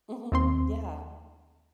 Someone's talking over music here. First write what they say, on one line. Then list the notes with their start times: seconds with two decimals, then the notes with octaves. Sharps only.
Mhm. Yeah.
0.32 D#2 C4 C6